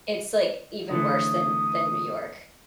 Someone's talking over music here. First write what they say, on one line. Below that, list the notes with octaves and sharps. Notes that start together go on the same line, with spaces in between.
It's, like, even worse than than New York.
D3 E3 A3 D#6